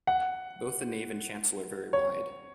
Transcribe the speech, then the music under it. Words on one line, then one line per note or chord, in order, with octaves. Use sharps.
Both the nave and chancel are very wide.
F#5
C#5